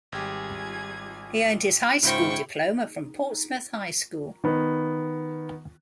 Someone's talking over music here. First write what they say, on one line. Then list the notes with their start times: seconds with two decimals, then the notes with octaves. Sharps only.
He earned his high school diploma from Portsmouth High School.
0.12 G#1 G3 G4 G#4 G#6
2.03 G#2 C#3 E4 F4 C5 F5 G5 C#6
4.44 D#3 B3